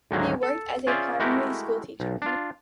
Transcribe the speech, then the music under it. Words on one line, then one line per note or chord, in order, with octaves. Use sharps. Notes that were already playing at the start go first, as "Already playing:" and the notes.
He worked as a primary school teacher.
D2 G#2 D#3 F#3 A#3
A4
C#4 F4 G#4 C5 D5 E5
G#3 A3 E4 F#4 G4 A#4
B1
D4 F4